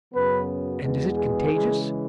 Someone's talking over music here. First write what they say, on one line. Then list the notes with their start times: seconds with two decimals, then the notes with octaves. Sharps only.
"And is it contagious?"
0.13 F#2 C#3 F#3 B3 B4
0.82 E2 B2 G#3 B3
1.17 G#4
1.52 C#3 E3 G#3